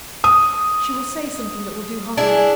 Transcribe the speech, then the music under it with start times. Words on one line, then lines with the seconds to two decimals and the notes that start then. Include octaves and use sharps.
She will say something that will do harm.
0.24 D#6
2.17 D4 E4 G#4